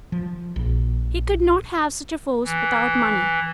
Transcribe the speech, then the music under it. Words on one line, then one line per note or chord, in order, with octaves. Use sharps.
He could not have such a force without money.
F3
A#1
E3